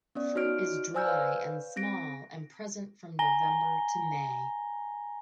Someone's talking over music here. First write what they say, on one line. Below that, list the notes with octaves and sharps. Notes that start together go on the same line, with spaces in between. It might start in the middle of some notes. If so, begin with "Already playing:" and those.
Fruit is dry and small and present from November to May.
B3 C#4 D5
D#4 F#4 C#5 F6 D7
C5 D5 G#5 E6 F6 G6
B4 C#5 F5
C4 A#6 D7
G#5 A#5 A#6 G7